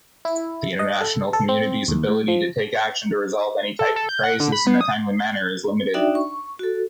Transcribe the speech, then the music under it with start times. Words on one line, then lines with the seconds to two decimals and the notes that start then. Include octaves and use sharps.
The international community's ability to take action to resolve any type of crisis in a timely manner is limited.
0.25 E4
0.79 D#5
1.01 A4
1.33 A4
1.49 C4
1.88 D#2
2.08 A2
2.28 F3
3.79 A4
3.96 A4
4.09 G6
4.24 F#5
4.40 D3
4.52 B5
4.67 B3
4.81 D#6
5.94 D4 D#4 F#4 D5 E5 G5
6.15 C#6
6.59 F#4 A4